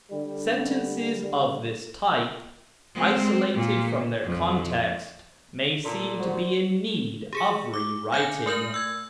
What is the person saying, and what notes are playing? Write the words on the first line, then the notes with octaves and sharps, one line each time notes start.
Sentences of this type, isolated from their context, may seem to be in need of rewriting.
D3 G3
G#3 C4
A#2
F2
A#2 A4
F#4 C5
G4 G#4 C#7
D6
F5 G#5 F#6 G6
A3 A#4 G6 F#7
E6 G#6